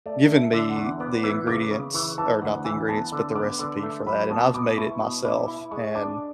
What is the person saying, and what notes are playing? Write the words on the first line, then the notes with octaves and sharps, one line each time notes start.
given me the ingredients or not the ingredients, but, the recipe for that, and I've made it myself and
A3 D5
A3
E5
D3
F#5
E2
B3 D6
E3
C#3 D6
C#3
E3 C#6
E3 A5
D2 F#5
E3 G#5
B3 A5
D3
B3 D6
D3
A3
F#3 B5
B2 A5
B2 D6
E4 C#6
B2
E4 D6
E4
G#3 C#6
D4 D6